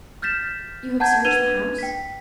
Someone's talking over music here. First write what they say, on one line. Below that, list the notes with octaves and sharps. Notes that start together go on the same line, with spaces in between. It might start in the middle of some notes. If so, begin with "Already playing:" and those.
"You have searched the house?"
F6 G6 A6 B6 E7
F#5 A5 A#5 G6 G#6
D4 B4 G#6 D#7 F7 G7
G5 B6